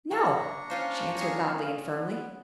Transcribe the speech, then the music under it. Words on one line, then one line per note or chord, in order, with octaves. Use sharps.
"No!" she answered, loudly and firmly.
A#3 D4 A#5 C#6
C#4 F4 C5 F5
G#4 C#5
B3